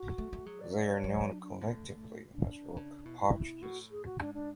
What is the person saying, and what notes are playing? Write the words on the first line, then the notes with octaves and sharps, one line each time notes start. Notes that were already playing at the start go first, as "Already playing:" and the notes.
They are known collectively as rock partridges.
Already playing: F#4
A3
A3
F#3 G#4
D5
D5
C#5
F#3
D4
D4
C#4
D3 B3
A3
A3
D4
C#4
D4
C#3
B2 E4
E4
A2 F#4
G#4
F#4
G#2 D4
D4